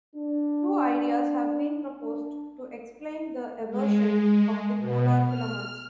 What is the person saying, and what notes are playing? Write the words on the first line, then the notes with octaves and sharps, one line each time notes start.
Two ideas have been proposed to explain the eversion of the polar filaments.
D4
D4
G#3
B2
F6